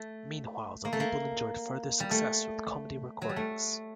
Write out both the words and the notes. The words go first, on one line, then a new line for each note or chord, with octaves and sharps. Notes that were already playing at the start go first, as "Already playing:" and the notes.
Meanwhile, the label enjoyed further success with comedy recordings.
Already playing: A3
A#3
A3
A#3
G3
A3
F#3
G3
A3